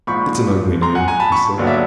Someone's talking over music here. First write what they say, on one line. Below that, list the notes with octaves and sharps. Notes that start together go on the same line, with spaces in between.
"It's an ugly name," he said.
A#1 G#2 F3 B5 C#6
A#5 C6
F#5 G#5
G#5 A#5
A5 B5
B5 C#6
D#2 D3 F#3 B3
D5 E5